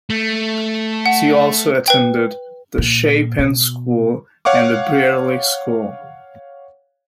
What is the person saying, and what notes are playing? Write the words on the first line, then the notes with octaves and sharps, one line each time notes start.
She also attended The Chapin School and The Brearley School.
A3
F#5
B4 G5
A#2
B2
C#5 F5 F#5 C#6 D6